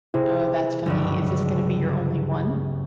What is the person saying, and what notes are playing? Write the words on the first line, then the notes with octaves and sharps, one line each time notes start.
Oh, that's funny. Is this gonna be your only one?
C3 E4 G#4 C5
F#1 C#2 G2 D3 F3